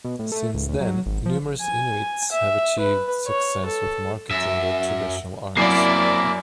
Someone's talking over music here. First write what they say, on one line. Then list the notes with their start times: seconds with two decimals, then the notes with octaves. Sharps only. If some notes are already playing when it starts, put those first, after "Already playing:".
Since then, numerous Inuit have achieved success with marketing their traditional arts.
0.04 B2
0.19 A2
0.32 A3
0.54 C#2
0.69 D2
0.80 F#3
1.06 G#1
1.26 F3
1.61 G#5
2.32 E5
2.79 B4
3.27 C#5
3.65 A4
4.31 F#2 E5
5.57 F#2 C3 A#3 E4 D5 F#5 C7